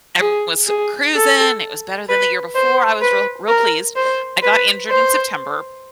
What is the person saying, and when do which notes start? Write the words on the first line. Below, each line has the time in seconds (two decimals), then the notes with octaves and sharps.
and it was cruising, it was better than the year before. I was real real pleased. I got injured in September,
0.21 G#4
0.68 G#4
1.16 A4
2.09 B4
2.55 C5
3.02 B4
3.49 A#4
3.96 C5
4.42 B4
4.90 C5